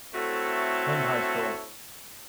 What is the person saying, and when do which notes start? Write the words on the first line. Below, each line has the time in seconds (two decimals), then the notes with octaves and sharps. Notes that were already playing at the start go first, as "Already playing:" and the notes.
King High School.
0.14 A3 C4 E4 F#4 A4 C#5